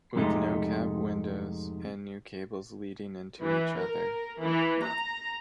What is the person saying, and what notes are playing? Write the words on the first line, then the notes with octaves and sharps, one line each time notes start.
With no cab windows and new cables leading into each other.
F2 G#2 C3 G#3 A3 D#4
E3
A#4
E3
A#5